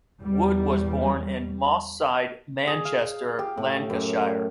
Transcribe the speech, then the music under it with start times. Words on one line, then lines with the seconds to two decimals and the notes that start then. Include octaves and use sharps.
Wood was born in Moss Side, Manchester, Lancashire.
0.21 E2 G3
2.67 G#4
2.85 F5
3.39 G4
3.57 A2
3.90 F#2